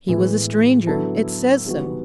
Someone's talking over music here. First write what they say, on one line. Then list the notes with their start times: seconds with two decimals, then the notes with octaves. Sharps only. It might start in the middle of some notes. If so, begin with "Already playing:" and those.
'He was a stranger; it says so.
0.08 A2 E3 G#3 B3 E4
0.87 D3 F#3 B3 E4 A4
1.66 E3 G3 B3 D#4 F#4